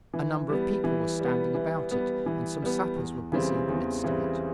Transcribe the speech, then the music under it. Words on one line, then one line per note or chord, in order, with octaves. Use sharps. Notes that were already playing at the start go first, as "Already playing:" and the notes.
A number of people were standing about it, and some sappers were busy in the midst of it.
E3
G3 B3
E3
G3
B3
E3
G3 B3
E3
G3 B3
E2
C#3 E3 G3 C4
E2
C#3 E3 G3 C4